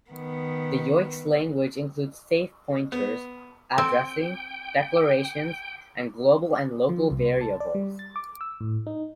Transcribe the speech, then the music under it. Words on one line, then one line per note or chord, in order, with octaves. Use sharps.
The Yoix language includes safe pointers, addressing, declarations, and global and local variables.
D#3 B3
B3
C4 G5
F3
C2
A5
D5
G3
A6
D6
E6
A2
D#4